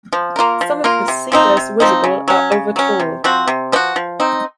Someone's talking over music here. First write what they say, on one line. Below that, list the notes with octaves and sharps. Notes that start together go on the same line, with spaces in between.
Some of the cedars visible are over tall.
F3
A#3 F4 A#4
F3
A#3 F4 A#4
C3
F3 C4 D#4
C3
F3 C4 D#4
C#3
F#3 C#4
C#3
F#3 C#4
C3
F3 C4 F#4
C3
F3 C4 F#4
F3
C4 D#4